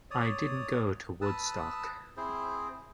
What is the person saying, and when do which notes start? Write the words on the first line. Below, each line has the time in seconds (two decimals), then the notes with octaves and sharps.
I didn't go to Woodstock.
0.11 C#5 D5 D#6
1.21 B4 A5 D#6 E6
2.17 C4 E4 G#4 C5